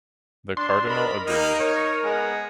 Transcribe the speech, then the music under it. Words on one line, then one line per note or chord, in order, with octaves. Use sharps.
The Cardinal agreed.
D4 C6
F4 A#4 D#5 B5
A#3 D#4 G4 A#5
C#5
G#3 B3 F#5